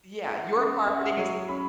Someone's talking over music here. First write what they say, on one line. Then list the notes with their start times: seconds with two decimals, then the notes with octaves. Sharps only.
Yeah, your marketing is,
0.24 E4 F#5
0.56 C#4
0.86 C#4 E5
0.94 F#5
1.03 E5
1.17 F#3 C#5
1.49 C#4 B5